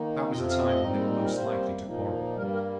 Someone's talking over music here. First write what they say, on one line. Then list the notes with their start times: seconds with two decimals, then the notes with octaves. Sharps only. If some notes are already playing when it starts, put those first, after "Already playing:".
That was the time when they were most likely to quarrel.
Already playing: D#3 A#3 D#4
0.32 F2 C3 F3 C4 D#5
0.50 F5
0.67 D#5
0.83 A#2 G3 C4 D#4
1.25 A#4
1.35 C3 G3 A#3 C5
1.86 A#2 F3 A#3 D#4
2.37 G2 G3 A#3 A#4
2.54 A#4